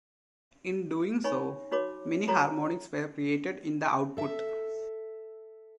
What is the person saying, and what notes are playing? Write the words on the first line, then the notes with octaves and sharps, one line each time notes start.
In doing so, many harmonics were created in the output.
D#4 C#5 G#5 B5 C#6
D#4 F#4 C#5 B5 D6
F#4 A4 C#5 A#5 B5
A4 E5